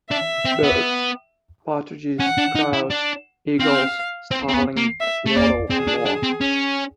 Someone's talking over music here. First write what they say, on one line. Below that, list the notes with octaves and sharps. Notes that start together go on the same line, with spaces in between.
Of birds: partridges, crows, eagles, starling, swallow and more.
D4 E5
C4
B3
C#4 F#5
D4
D#4
E4
D4
C4 F5
C4
C4
B3
A#3
E5
A3
A#3 D5
C4 G#4
D4
D4
C4
C#4